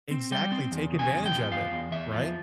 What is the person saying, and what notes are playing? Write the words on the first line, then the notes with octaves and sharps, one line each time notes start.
Exactly, take advantage of it, right?
C4
G3 G5
C4
E2
C#3
G#5
E2
G5
F3
E2 F5
E2
E2 E5
F3